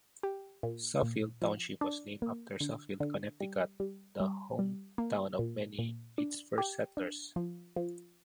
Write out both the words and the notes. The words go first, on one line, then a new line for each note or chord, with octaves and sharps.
Suffield Township was named after Suffield, Connecticut, the hometown of many its first settlers.
G4
A#2
A#2
F3
D4
A#3
D3
D3
G3
G3
G3
G3
A#3
A#2
A#2
D4
G4
D4
F3
F3